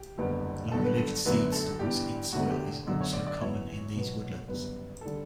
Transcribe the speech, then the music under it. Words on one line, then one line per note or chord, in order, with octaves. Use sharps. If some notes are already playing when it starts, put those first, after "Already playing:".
Long-lived seed stores in soil is also common in these woodlands.
Already playing: G4
F#1 E2 D3 G3 B3
G1 G2 F#3 A4
B4
A4
G1 F#2 D3 F#3 A3 B4
A4
G1 G2 E3 G3 G4
E2 D3 A3 F#4
G4
G1 F#2 D3 F#3
C#5
D5
D5
G1 F#2 E3 B3 C#5
C#2 B2 F#3 B3
G1 F#2 C#3 G3 B4
D3 G3 A4